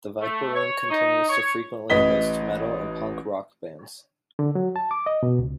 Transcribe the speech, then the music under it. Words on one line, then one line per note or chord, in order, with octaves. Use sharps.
The Viper Room continues to frequently host metal and punk rock bands.
A3
C#5
D#4
C#5
A1 B4 D#5 B6 G7
D3
F#3
A5
D6
D#5
B2
C#2